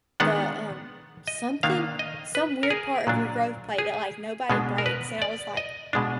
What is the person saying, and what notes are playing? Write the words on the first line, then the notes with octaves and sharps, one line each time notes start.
the, um, something some weird part of your growth plate that, like, nobody breaks. And I was like,
D#3 G#3 B3 D4 F#5
D#5
D#3 A#3 D4 F5
D#5
B4
A#4
G#4
A#2 F#3 D4
G#4
B2 G#3 D4
A#4
B4
D5
D#5
B2 G#3 D4